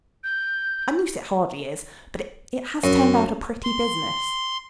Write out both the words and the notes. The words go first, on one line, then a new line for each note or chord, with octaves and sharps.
A noose it hardly is, but it has turned out a pretty business.
G6
F#2
C6